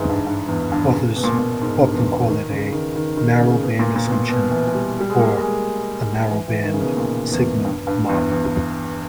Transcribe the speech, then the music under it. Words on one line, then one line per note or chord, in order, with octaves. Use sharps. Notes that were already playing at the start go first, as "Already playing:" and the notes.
Authors often call it a "narrowband assumption", or a narrowband signal model.
Already playing: G#2 E3
G2
G2
E2
G2
C#3
B2
A#2
B2
A#2
G#2
G2
E2
B2
D#3
C#3
D#3
D#3
D#3
C#3
B2
A#2
A#2
B2
A#2
B2
E3
E3
G3
G3
G#3
A#3
G#3
E3
E3
D#3
C#3
B2
A#2
E2
G2
G2
E2
E2